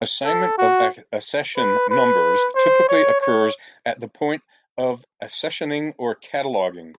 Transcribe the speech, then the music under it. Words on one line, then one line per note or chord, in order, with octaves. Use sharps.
Assignment of accession numbers typically occurs at the point of accessioning or cataloging.
A4
F#4
B4
B4
C5
C#5
C#5